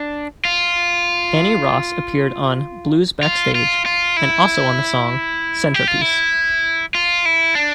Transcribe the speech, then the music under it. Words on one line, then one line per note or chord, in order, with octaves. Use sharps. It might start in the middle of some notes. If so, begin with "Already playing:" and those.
Annie Ross appeared on "Blues Backstage" and also on the song, "Centerpiece".
Already playing: D4
F4
F4
F4
F4
E4
G4
F4
E4
F4
E4
D4